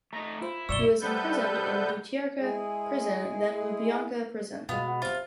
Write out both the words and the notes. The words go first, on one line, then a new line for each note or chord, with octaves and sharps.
He was imprisoned in Butyrka Prison then Lubyanka Prison.
A3 D#4 A#5
E4 F4 C5
B1 F#2 D5 C#6 E6 E7 G7
C3 G3 B3 A4 B4 G6
G#3 E4 G#4
B2 G#3 B3 F4
F#4
C3 F4